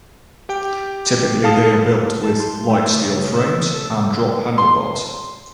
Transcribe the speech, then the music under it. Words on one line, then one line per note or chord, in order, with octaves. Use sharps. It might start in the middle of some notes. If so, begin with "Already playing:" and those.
Typically they are built with light steel frames and drop handlebars.
G4 G5
F5 A5 D#6
F6
A5
C6
A3
C#3
E6
A4
C6